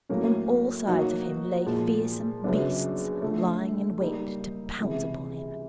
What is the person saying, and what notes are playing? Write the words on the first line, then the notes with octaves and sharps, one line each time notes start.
On all sides of him lay fearsome beasts, lying in wait to pounce upon him.
A2 F#3 A#3 C#4
F#3 A#3 D#4 F#4
A#2 F3 G#3
F#2 C#3 F#3 B3 D4
D3 F3 A3
G3 A#3 D#4
C#2 C3 E3